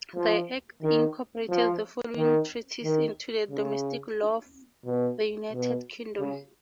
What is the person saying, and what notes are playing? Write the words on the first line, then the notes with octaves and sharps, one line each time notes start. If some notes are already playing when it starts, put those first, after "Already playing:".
The Act incorporated the following treaties into the domestic law of the United Kingdom.
F3
D#3
F3
D#3
D#3
C#3
B2
B2
C#3